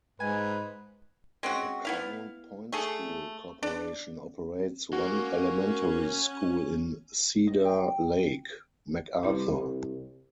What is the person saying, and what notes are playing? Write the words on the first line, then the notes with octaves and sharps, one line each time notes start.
The Crown Point school corporation operates one elementary school in Cedar Lake: MacArthur.
G#2 G#3 B4 G#5
G#3 C4 C#4 F#4
B3 E4 F5
A3 G#4 A4
D4
A#3 C#4 F#4
D#5
G5
C2 G3 E4 B4